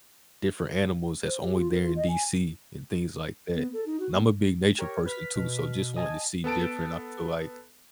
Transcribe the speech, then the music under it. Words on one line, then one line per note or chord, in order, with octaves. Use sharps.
different animals that's only there in DC and things like that. And I'm a big nature person too, so just wanting to see different, I feel like
C5
G4
F4
A#4
F4
D#5
G#5
B3
A4
D#4
F#4
A#3
G4 A#4 C#5
B4 F6 B6
B2
D#5 G#5 A5
B3 A4 A5 D7